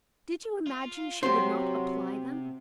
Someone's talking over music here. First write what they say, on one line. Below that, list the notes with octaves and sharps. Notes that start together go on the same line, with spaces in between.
Did you imagine she would not apply them?
F4
C3 F#3 G4 C5 C6